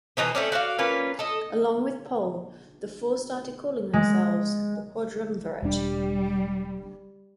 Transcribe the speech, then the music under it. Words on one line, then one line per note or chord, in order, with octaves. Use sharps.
Along with Pohl, the four started calling themselves the "Quadrumvirate".
B2 E3 D#4 C5
A3 C4 C#4 D5
F#4 D5 E5 F5
A#3 C#4 F4 B4
A4 D#5
G#3
E1 G3 D4